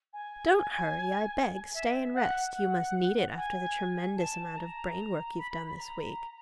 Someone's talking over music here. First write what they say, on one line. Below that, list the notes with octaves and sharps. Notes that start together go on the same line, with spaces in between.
'Don't hurry, I beg; stay and rest; you must need it after the tremendous amount of brain work you've done this week.
G#5
E5
F#5
F#5
G#5
A5
A5
A#5
B5
B5
B5
A#5